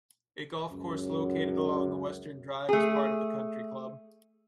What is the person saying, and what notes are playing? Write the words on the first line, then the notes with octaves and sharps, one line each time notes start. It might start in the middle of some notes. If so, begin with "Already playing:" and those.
A golf course located along the western drive is part of the country club.
C#2 F#2
A3 G#4